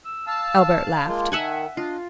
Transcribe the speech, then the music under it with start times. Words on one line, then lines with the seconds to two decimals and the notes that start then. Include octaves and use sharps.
Albert laughed.
0.05 E6
0.27 F5 A5 E6
1.07 G#3 A#3 F4 A5
1.32 D#3 E5 F#5 G#5
1.77 D4 F4 D#5